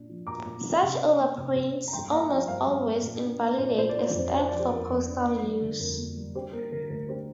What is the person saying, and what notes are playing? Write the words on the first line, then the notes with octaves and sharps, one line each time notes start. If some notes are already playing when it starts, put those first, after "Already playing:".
Such overprints almost always invalidate a stamp for postal use.
Already playing: A#2 D4
F3
A#2 A#5 D6
A#2
D4
C3
D4
A#3
C3
C3
D4
A#5
G2 G5 C6
A#3 F5 A#5
F3 D5 G5
G2 C5 F5
G2
A#3
A#2
D4
A#3
A#2 C5
D5
A#2 C5
D5
D4 C5
D5
F2 C5
D4 D5
C5
F3 D5
G4 C5
F2 A#4
F2
D4
A#3
G3
D3
F2 A#4
A#3
G3
D4 G4 C5
A#3 A#4
D3 A#4
D2 A#4
D4 G4 C5